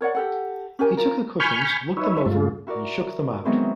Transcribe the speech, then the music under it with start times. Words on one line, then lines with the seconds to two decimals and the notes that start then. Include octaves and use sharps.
He took the cushions, looked them over and shook them out.
0.01 A#4 C#5 D5 F#5
0.15 G4 A4 F#5
0.79 C#4 G4 A#4 G#5
0.97 F4 A#4
1.40 G#5 B5 C#6 F6 G6
1.97 D#4 B4 C#5 E5
2.26 G2 G#3 A3 F4
2.67 E4 F#4 A#4 D5
3.45 D#3 E3 F#3 G#3 B3 C4